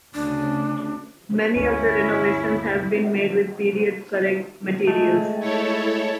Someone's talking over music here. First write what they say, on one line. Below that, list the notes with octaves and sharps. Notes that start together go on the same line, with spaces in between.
Many of the renovations have been made with period correct materials.
D2 C#3 D4
D2 G2 C#4 E4
G#3 A3
E4 A4 C#5